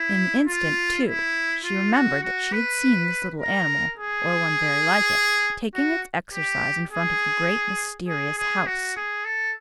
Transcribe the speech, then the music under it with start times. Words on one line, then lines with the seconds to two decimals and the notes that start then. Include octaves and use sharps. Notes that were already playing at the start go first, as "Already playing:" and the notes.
In an instant, too, she remembered that she had seen this little animal, or one very like it, taking its exercise in front of the great, mysterious house.
Already playing: E4
0.48 F4
1.06 E4
1.64 F4
1.93 F#4
2.23 F#4
2.52 B4
3.40 A#4
3.98 G#4
5.75 F#4
6.33 G4
6.91 G#4
8.08 G#4
8.38 G#4
8.66 F#4
8.96 G#4
9.25 A4